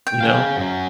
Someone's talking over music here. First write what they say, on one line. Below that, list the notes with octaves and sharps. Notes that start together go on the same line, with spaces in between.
you know?
G5
G#4 F5
F#2 F#3